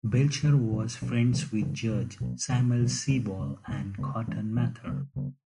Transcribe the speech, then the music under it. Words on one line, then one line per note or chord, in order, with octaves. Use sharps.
Belcher was friends with Judge Samuel Sewall and Cotton Mather.
C#3 G#3 C#4
C#3 G#3 C#4
B2 F#3 C#4
B2 F#3 C#4
C#3 E3 G#3
C#3 E3 G#3
B2 F#3 B3
B2 F#3 B3
C#3 F#3 B3
C#3 F#3 B3
C#3 G#3 C#4
C#3 G#3 C#4
C#3 G#3 B3
C#3 G#3 B3
E3 G#3 C#4
E3 G#3 C#4
C#3 F#3 B3
C#3 F#3 B3